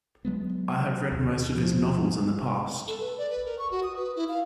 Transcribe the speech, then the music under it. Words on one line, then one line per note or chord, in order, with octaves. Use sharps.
I have read most of his novels in the past.
F#3 G#3 B3
D#2
F3
A4
B4
D5
B4
A#4
C#6
F#4
D#6
B4
E4
F5